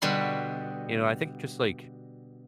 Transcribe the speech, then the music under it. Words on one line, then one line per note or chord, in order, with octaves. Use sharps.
you know, I think just like,
B2 D3 G3 B5 C6